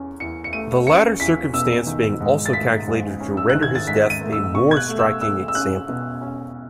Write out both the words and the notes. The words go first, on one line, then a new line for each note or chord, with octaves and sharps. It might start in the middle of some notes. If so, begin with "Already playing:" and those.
The latter circumstance being also calculated to render his death a more striking example.
Already playing: E2 C#4
E2 C#7
C#7
A3 D#7
C#4 C#7
E2 B6
B2 E6
D#3
G#2
A6
A3 B6
G#2
C#4
E6
D#3 F#6
G#6
A6
G#2 B6
D#7
A3
E6
B2 C#6
G#6
F#6
A3
E6
A3 E6
E6
C#4 F#6
B2
C#4